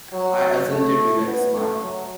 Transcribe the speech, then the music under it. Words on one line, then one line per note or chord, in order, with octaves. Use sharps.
I assented with a smile.
F#3
A3
B3
A3
F#3